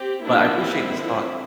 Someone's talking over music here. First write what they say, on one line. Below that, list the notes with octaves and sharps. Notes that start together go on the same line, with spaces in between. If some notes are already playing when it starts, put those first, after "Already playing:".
but I appreciate this talk.
Already playing: C4 G4
F3 A#3 D4 E4
G3 C4
D3 F3 C4